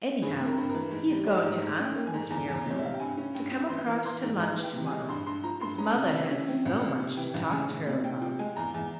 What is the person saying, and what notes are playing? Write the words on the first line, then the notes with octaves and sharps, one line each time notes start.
Anyhow he is going to ask Miss Muriel to come across to lunch to-morrow; his mother has so much to talk to her about.
G2 G#4
C4
A#4
G2
A#4
E3
G#2
G3
G#2 C#5
G#2
G#2
C#4
G5
A#3
G#5
G#2
E2 A#5
E2
A#5
C3 C#5
E5
C3 F5
G5
G2 G#5
C#4
G2 G5
C#4
E3 C6
E3
E3 C6
G#2
G#3 A#5
E3
G5
C3
G#5
G#3
G2 C6
G2 C6
F3 A#5
G2 C6
C#4 A#5
C3
E3 E5
C#4
C4
C#2
C3
C3
E3 G5
C#2
C#3 G#5
C#3
C3
C3 G5
F3 G5
G#3 G#5
E2 A#5
E2